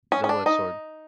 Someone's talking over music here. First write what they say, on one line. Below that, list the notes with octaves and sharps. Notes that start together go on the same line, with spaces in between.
double-edged sword.
C#4
C#4
D4
D#4